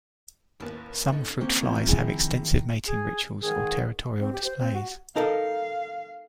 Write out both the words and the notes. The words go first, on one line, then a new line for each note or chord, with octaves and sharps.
Some fruit flies have extensive mating rituals or territorial displays.
A1 D#2 A#4 B4 A5
C#4 D#4 A4
A#3 C4 C#4 C5
A2 C3 F4
D#3 F3 E4 G#4 C6
D#3
G#4
G#2 D#3 G#4
C4
G4
C5
C4
F#4
D#4 A4 A#4 F5